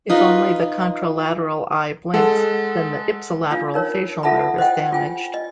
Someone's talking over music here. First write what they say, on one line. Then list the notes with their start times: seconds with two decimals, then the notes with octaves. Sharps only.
If only the contralateral eye blinks, then the ipsilateral facial nerve is damaged.
0.09 D#4 F4 B4 D#5
2.14 G#3 A4 F#5
3.51 D4 F4 F5
3.74 D#4 A#4 C#5
4.23 F4 A4 E5 F#5 A5 B5
4.58 C5 D#5 F#5 G5
4.92 F4 G5 G#5
5.34 D#5